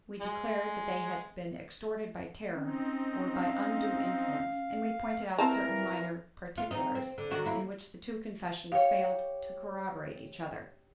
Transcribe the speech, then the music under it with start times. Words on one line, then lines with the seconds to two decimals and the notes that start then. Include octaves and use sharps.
We declared that they had been extorted by terror, or by undue influence; and we pointed out certain minor particulars in which the two confessions failed to corroborate each other.
0.21 G#3
2.54 C4 C#4 D#4
3.35 F5
5.38 A#2 E3 C4 A#4 A5 A#5
6.58 F4
6.71 C4 D#4
6.95 C4
7.18 D3
7.30 D3 D#3 F#4
7.46 A#3 E4
8.72 G4 C#5 F5